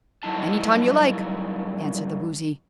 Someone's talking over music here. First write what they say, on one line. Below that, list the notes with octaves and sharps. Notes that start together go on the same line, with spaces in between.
"Any time you like," answered the Woozy.
G2 C3 F#3 D#4 E4 A5